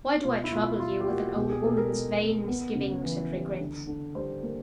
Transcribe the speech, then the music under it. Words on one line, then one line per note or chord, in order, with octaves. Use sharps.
Why do I trouble you with an old woman's vain misgivings and regrets?
B2 F4
E4
B2 F4
G3 F4
G4
A#3 F#4
B2 G4
G#4
B2 A4
A#4
G#3
C4
B3
C#3
E3
G3
D3
D3
G3 C5
A#3